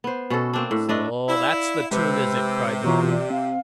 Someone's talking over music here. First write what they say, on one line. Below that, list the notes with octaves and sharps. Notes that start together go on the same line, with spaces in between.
"So that's the toon, is it?" cried the cook.
B3 C5
B2 C#4 F#4 A4
A#3 C4 D4
A2
A3 D4 B4 D#5
E4 D5 F5
C3 G#3 B4 B5 E6 G6
B2 E3 F4 C#5 A#5 C#6
D5
C4 F5